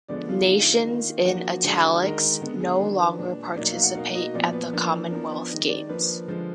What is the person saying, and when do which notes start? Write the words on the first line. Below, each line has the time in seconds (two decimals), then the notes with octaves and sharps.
Nations in "italics" no longer participate at the Commonwealth Games.
0.08 D3 F3 G#3 B3 D5
0.29 F4
0.47 D3 G#3 D#4
0.87 D#3 A#3 D#4
1.25 F3 A#3 D4 F#4
1.64 D3 G#3 D4
2.02 D#3 G#3 D#4 A#4
2.41 D3 G#3 B3
2.60 G#4
2.80 D#3 F#3 D4
2.99 B4
3.19 A#2 G#3 D4
3.56 B2 F#3 A#3 D#4 D5
3.70 F5
3.83 F#5
3.95 B2 A#3 D#4 F5
4.15 D#5
4.34 A#2 F3 B3 D5
4.53 B4
4.73 F3 A#3 D4
5.11 F3 B3 D4 A#4
5.31 B4
5.49 D#3 G#3 D#4 D#5
5.69 D5
5.89 F3 A#3 D4 B4
6.28 D3 F3 G#3